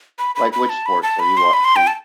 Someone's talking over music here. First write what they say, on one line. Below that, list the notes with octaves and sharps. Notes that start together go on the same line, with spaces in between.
like, which sports have you watch seen?
B5
B5
B5
A5
B5
A5
B5
C6
B5
C6
G5
A5